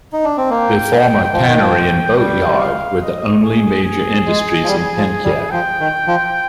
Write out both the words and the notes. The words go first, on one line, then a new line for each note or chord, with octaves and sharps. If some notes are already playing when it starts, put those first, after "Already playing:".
The former tannery and boatyard were the only major industries in Penketh.
D#4
D4
C4
A#3 G5
F3
D#3
F3
G3 G5
F5
D#5
G#4
G#4
G#3
F3
G3
F3
G3
F3 G5
D#3
F3